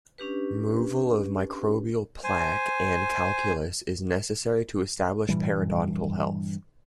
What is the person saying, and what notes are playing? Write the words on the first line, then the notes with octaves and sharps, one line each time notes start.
Removal of microbial plaque and calculus is necessary to establish periodontal health.
C#4 D4 G4 B4
C5 G#5
G2 A#2 E3 G3